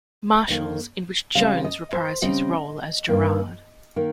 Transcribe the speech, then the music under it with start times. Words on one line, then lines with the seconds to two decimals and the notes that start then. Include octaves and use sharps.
Marshals, in which Jones reprised his role as Gerard.
0.48 F2 D#3 A#3
1.35 C#3 G3 C4 F5
1.64 D#5
1.93 C5
2.22 C#3 G3 C4 D#5
3.09 G2 D#3 A#3
3.96 D#3 A#3